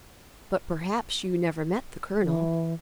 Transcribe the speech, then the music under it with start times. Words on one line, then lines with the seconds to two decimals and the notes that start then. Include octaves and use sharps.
"But, perhaps, you never met the colonel."
2.23 E3